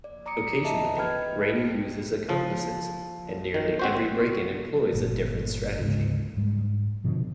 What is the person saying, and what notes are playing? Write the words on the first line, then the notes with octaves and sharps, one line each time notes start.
Occasionally, Rainey uses accomplices, and nearly every break-in employs a different strategy.
D5
D5 A#5 D6 D#6 C#7 D7
D#5 E5 A5 A#5
B4 D#5 G5 B5 F6 G#6
F3
D#3
C4 F#4 C5
G1 A#2 G3
D2 G#2 C#3
G#2 G3 G#3
G2 B2 D3 F3